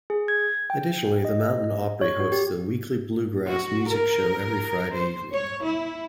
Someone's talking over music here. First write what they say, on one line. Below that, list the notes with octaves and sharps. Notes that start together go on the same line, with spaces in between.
Additionally, the Mountain Opry hosts a weekly bluegrass music show every Friday evening.
G#4
G#6
G5
D#5
C#5
F#4
G4
F#4
A#4
C5
C#5
E4